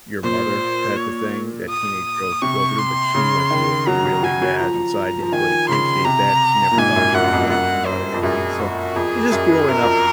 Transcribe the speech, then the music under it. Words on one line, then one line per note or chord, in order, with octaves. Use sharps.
your mother type of thing that teenage girls should go through, but she went through it really bad, and so, I didn't really appreciate that, and she never thought she was wrong about anything. So, you just growing up
A#2 C5
C#5
D#6
C3 C#6
C6
C#3
D#3
F#3 A#5
F#3
F#3 G#5
F#3
F3 A#5
F3
D#3 G#5
C#3 C6
C3 A#5
A#2
G#2 G#5
F#2
F#2 F#5
F#2
F2
F#2 F#5
C5
F2
F#2 G#4
F#4
F2 G#4
F#2
F#2 A#4
F2